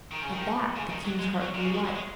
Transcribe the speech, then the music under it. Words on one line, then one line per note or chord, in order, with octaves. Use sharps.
At that the king's heart grew light.
D#3
C#3
D#3
C#3
D#3
F#3
G#3
F#3
A#2
C#3
D#3
F#3
G#3